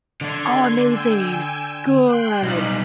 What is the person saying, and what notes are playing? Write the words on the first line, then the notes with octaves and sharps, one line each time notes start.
Oh, amazing. Good.
D3 D4 C6 G#6
G5 G#5 E6
G5 C6 F#6
B1 G3 D#4